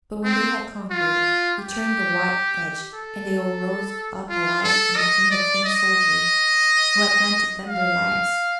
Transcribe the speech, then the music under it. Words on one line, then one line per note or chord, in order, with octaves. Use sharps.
But when they had conquered, he turned the white edge, and they all rose up alive and became the King's soldiers, who had granted them their lives.
C4
F4
G4
A4
F4
A4
D#5
D5
D#5
F5